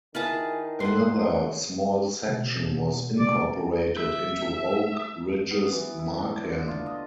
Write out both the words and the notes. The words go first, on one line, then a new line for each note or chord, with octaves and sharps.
Another small section was incorporated into Oak Ridges-Markham.
D#3 E4 F4 G#4 B4 A5
F2 A3 F#5 C6
B2
B2 D5
E5
B3
E3
E4
D4
D3
F4
D#5